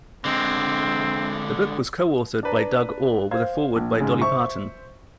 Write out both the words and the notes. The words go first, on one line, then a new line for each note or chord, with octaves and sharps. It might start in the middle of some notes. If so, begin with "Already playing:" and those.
The book was co-authored by Doug Orr with a Foreword by Dolly Parton.
D3 G#3 C4
D4 B4 A#5
C5 F5 G#6
A#1
G#2 C#3
C5 E5 C#6